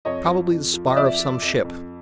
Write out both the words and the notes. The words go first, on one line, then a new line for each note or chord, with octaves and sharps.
"Probably the spar of some ship."
F2 C#5 D#5
F3
F2
F3
D#5
F2 D5 E5
F3
F2
F2